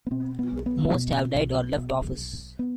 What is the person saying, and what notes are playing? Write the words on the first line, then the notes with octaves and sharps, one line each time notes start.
Most have died or left office.
B3
B2 C4
B3
B1
B3
B2
B1
B2
B1
B3